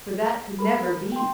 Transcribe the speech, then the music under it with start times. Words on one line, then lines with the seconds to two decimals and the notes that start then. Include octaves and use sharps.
For that could never be.
0.59 A4 A#4 B5
1.12 G5 C6